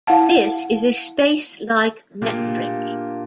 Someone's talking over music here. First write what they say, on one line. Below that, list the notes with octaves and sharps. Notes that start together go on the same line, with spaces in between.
This is a space-like metric.
E4 F5 F#5 A5
A#2 A#3 D4 G4 G#4